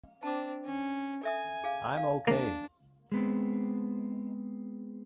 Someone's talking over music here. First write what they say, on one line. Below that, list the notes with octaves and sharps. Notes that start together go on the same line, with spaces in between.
I'm ok.
C4 D4 A5 D6
C#4
A4 E5 G#5 D#6
G#4 F5
F5
A#3 D4
G#3 B3 C4